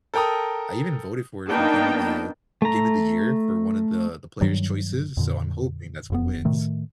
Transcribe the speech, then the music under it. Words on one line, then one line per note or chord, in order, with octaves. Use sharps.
I even voted for it for Game of the for Game of the Year for one of the the Player's Choices, so I'm hoping that's what wins.
A4 A#4 G5 A#5 D#6
A#3 B3 D4 D#4 G5 A5
A3 A#5
G2 D#3 F#3 G3
F2 A#2 D3
E1 F2 B3
A2 D#3 A3